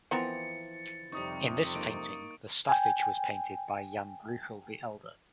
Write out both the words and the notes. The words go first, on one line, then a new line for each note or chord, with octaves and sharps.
In this painting the staffage was painted by Jan Brueghel the Elder.
E3 F3 B3 C4 A#4 A#5 A6 C#7
F2 C3 G3 D#4 C#6 D#6
A#3 D#4 D7
G5 G#5